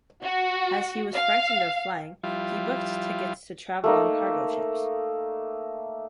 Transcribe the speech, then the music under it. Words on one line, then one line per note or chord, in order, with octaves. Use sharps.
As he was frightened of flying, he booked tickets to travel on cargo ships.
F#4
F5
F3 G3 E4 F4
A3 A#3 D#4